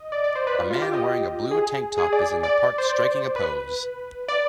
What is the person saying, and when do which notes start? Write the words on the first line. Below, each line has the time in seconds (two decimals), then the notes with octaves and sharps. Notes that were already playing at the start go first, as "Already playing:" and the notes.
A man wearing a blue tanktop is in the park striking a pose.
Already playing: D#5
0.12 D5
0.24 D5
0.35 C5
0.47 B4
0.59 F4
0.71 F4
0.82 G4
0.93 D#5
1.51 G#4
1.98 G#4
2.13 D5
2.43 D5
2.78 C5
2.90 D5
3.36 B4
4.28 D5